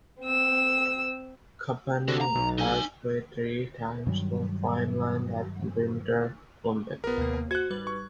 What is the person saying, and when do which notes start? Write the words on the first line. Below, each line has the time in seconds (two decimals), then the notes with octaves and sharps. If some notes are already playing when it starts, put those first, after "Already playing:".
Kapanen has played three times for Finland at the Winter Olympics.
0.21 C4 E6
2.08 D3 F#4 A4
2.21 A#5
2.35 B1
2.58 D#4 G#5
4.06 G2 D#3 F#3 G3
7.04 A#1 B3 A#4
7.18 D#2 C3 A#3
7.51 F#4 C5 F#6 G#6
7.70 G#1 G3 B4
7.87 C#6